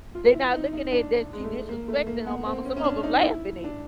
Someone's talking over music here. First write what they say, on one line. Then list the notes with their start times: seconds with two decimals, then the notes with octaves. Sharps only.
They not looking at that she disrespecting her mama, some of 'em laughing at it,
0.15 F4
0.34 E4
0.54 D#4
0.73 D#4
0.92 D4
1.33 G#3
1.44 A3
1.69 A#3
1.88 A3
2.07 A#3
2.27 B3
2.46 C4
2.65 C#4
2.77 C#4
2.84 D4
3.03 D#4
3.23 E4
3.64 D4